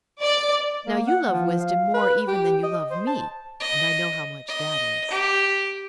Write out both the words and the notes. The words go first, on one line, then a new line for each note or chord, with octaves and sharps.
Now you love wisdom more even than you love me, and I know how much that is.
D5
A#3
F#5
F3
F5
B4
G4
D#5
C5
A5
D#5
D#5
G4